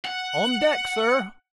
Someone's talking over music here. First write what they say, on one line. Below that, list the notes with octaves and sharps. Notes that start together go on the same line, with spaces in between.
"On deck, sir."
F#5